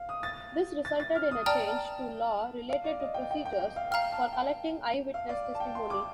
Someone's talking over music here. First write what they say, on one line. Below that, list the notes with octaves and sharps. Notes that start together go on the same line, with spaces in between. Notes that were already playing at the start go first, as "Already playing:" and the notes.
This resulted in a change to law related to procedures for collecting eyewitness testimony.
Already playing: F5
D#6
A6
A6
A6
F6
D#6
D5 G5 A5 A#5 F6
F5
D5
D#5
G5
G5
G5
G5
F5
F5 G5 A#5 F6
A5
G5
F5
D5
A5
G5
C6
D6